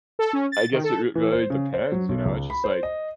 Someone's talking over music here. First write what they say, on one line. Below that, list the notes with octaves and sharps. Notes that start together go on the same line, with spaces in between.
I guess it r really depends, you know? It's just like,
A4
C#4
A6
D#3
A4
E3
C5
C#3
C5
F#3
B1
C#2
B5
C5
D#5